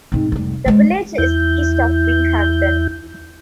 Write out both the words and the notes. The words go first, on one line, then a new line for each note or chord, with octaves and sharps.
The village is east of Binghamton.
G#2 C4
F1 G3
F#3 G#3
E2 E4 G6